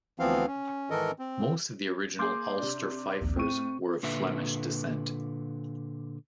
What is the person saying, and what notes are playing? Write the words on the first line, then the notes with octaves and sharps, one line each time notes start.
Most of the original Ulster fifers were of Flemish descent.
D2 E3 F3 B3 C4 F5
C#4
G#2 D#3 E3 A4 A#4 D#5
C4
A#3 G#4 C6 D6 G6
C3 D4
A#1 D#2
A2 C4 C#6 D#7
A#2 D3 B4 E5